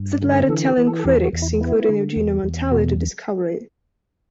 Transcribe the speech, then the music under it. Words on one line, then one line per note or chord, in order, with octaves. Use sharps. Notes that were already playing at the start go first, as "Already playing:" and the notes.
That led Italian critics, including Eugenio Montale, to discover it.
Already playing: G2
D5
D3
C5
E3 A4
G4
E3
A4
A4
E2 G4
F#4
E2
E4
B3 E4
D3
E2
E2
B2 F#4